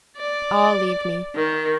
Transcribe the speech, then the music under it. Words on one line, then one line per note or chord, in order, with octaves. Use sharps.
"All leave me."
D5
D#3